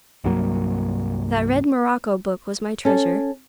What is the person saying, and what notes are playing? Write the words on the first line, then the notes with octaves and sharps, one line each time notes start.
That red morocco book was my treasure.
C2 G2 F#3 A#3
C#4 A4